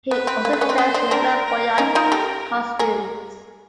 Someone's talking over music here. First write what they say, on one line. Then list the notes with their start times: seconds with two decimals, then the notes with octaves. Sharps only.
He also dressed in flamboyant costumes.
0.11 B3 B4
0.27 C4
0.45 A#3
0.53 A3
0.61 B3 C#4
0.69 C4 D4
0.78 B3 C#4 C5
0.94 C4 D4
1.11 C4 D4 A#4
1.45 A#4
1.78 C#4 D#4
1.95 D#4 F4
2.12 G4 A4
2.79 G#4 A#4